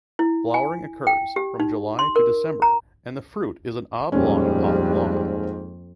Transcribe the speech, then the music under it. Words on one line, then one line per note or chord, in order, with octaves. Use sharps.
Flowering occurs from July to December and the fruit is an oblong pod long.
E4
G#5
G5
G4
D#4
C6
A#4
A#5
D#1 F2 G#2 G3 C#4